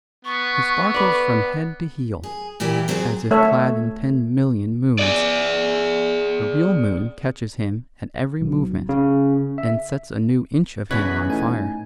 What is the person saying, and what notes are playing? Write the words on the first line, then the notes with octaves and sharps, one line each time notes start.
He sparkles from head to heel, as if clad in ten million moons; the real moon catches him at every movement and sets a new inch of him on fire.
B3 C#6
B4 D5
G#4
A#2 E3 E4 G4
F#3 C4 E4 F4 G#4
A3 A4 C#5 E5
G#4 D5
B1
C#3
E5
E2 B2 C#4 F#6 G#6 B6
A2 D#4 G#5